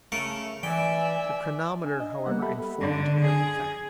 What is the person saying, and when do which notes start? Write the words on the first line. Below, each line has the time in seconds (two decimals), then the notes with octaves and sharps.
The chronometer, however, informed me of the fact.
0.12 C#3 A3 A#4 C#6
0.63 E3 D5 E5 G5 G#5
1.85 D4 G#5
2.00 D#5
2.26 G3 A#3 B3 F#5
2.42 G4 A4 E5 B5
2.81 D3
3.26 G#4